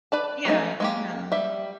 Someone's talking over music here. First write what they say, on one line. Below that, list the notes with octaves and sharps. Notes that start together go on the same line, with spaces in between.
Yeah, yeah.
B4 D5 A5
F#3 A3 C#4 D#4
G#3 A#3 G4
G3 E5